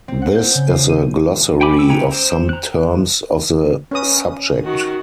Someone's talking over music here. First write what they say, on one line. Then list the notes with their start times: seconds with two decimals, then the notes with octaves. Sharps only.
This is a glossary of some terms of the subject.
0.08 C4
0.22 F#5
0.35 G6
0.55 C#3
0.70 F4
0.89 D#7
1.61 G5 G#5 B5 D6
1.76 C#4 E6
1.89 G#3 C#4 G5 A#5
2.12 C5
2.49 A#5 F#6
3.91 C#4 B4 D#6
4.64 D#3 F#4